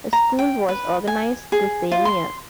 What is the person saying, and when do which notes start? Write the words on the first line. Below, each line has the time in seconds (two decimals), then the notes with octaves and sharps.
A school was organized the same year.
0.13 A#5
0.39 G5
0.69 B4
1.07 G#5
1.52 G#4
1.92 F4
2.05 C6